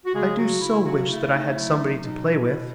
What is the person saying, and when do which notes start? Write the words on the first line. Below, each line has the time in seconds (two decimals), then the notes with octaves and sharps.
I do so wish that I had somebody to play with.
0.06 F#4
0.13 C#3 G#3 G#4
0.36 F#3 F#4
0.60 C#3 E4
0.83 F#3 F#4
1.07 A3 E4
1.31 D#4
1.53 F#3 E4
1.77 D#4
2.01 B2 D#4
2.32 E4
2.48 B2